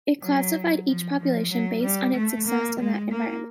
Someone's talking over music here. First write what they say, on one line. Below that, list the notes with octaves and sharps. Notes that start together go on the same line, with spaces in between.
It classified each population based on its success in that environment.
F#3
F3
F3
F#3
G3
A3
A#3
G#3
A#3